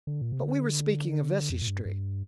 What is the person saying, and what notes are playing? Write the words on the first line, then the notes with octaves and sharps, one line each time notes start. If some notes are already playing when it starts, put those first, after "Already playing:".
But we were speaking of Vesey Street.
D3
A#2
C3
D3
F2
A#2
G2
G2